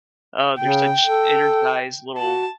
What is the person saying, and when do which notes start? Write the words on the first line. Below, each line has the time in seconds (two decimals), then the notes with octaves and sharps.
Oh, they're such energized little
0.59 C#3 G5
1.05 A4
2.17 F#4 A5